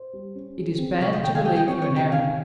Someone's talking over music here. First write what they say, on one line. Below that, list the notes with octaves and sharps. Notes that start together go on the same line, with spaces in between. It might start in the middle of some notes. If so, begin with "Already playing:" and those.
'It is bad to believe you in error.
Already playing: C5
G3
C#4
G#4
C4
C3 C#5 F5
C5 D#5
D#3 G5 A#5
F5 G#5
G3 D#5 G5
D#5 G5
C4 C#5
C#5
C3
G5 A#5
D#3 F5 G#5